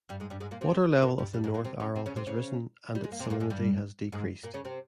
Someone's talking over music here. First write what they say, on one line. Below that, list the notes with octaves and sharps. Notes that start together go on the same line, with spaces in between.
Water level of the North Aral has risen, and its salinity has decreased.
G2 G3
G#2 G#3
G2 G3
G#2 G#3
A#2 A#3
C3 C4
A#2 A#3
G2 G3
G2 G3
G#2 G#3
A#2 A#3
C3 C4
C#3 C#4
C3 C4
C#3 C#4
C3 C4
C#3 C#4
G3
G#3
A#3
C3 C4
G#3
A#2 A#3
G#2 G#3
G2 G3
G#2 G#3
A#2 A#3
C#3 C#4
C3 C4